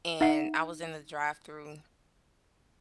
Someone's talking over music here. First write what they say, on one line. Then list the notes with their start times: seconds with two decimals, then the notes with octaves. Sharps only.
and I was in the drive-through,
0.21 D#4 E5 F#5 C7